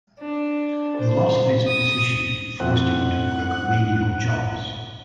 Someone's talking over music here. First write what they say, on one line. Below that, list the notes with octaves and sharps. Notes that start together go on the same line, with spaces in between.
The loss of his position forced him to work menial jobs.
D4
C5
D#6
F2 A2 C4 F#5